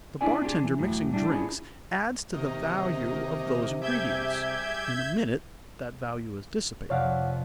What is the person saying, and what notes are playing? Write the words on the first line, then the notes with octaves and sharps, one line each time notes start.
The bartender mixing drinks, adds to the value of those ingredients; in a minute that value is dissipated.
C#4 D4 E4 G#4 D5 G#5
C4 D4 E4 F4 G4 G#4
E3
E2 A2 F#3
G3 D4 E4 G4
C#4 D4 E4 F4 G#4 C#5
C3 D#3 A#3 D#4
G3 G#4 E5 D6 G6 G#6
F2 C3 C#5 D5 F5 F#5